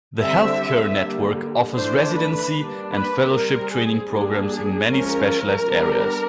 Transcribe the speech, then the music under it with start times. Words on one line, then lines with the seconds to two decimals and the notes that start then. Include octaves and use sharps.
The healthcare network offers residency and fellowship training programs in many specialized areas.
0.19 D3 G3 C4 E5
0.97 D3 G3 A#3
1.76 E3 A3 D4 C5
2.15 B4
2.54 G3 A#3 D4
2.93 B4
3.32 G3 C4 A#4
3.71 G#4
4.10 G3 A#3 D4 G#4
4.88 F3 G#3 C#4 A#4
5.67 G3 B3 D4